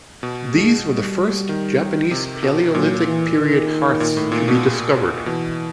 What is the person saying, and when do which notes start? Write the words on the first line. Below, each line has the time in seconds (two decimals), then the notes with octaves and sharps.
These were the first Japanese Paleolithic period hearths to be discovered.
0.23 B2
0.54 G#3
0.86 G3
1.49 D#3
2.11 C3
2.43 B2
2.75 A#2 F#3
3.07 E3
3.37 D#3
4.00 A#2
4.17 A2
4.32 A#2
4.48 B2
5.26 B2 E3